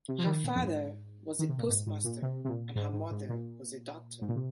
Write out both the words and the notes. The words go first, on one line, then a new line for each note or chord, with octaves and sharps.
Her father was a postmaster and her mother was a doctor.
C3
F3
D#3
A#2
F2
G#2
D#3
C3
A#2
G#2
G#2
A#2
C3
C3
A#2
G#2
G#2
G#2
A#2
G#2
A#2
C3